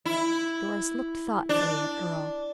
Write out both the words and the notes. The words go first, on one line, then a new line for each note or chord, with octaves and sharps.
Doris looked thoughtfully at Earle.
E4
D4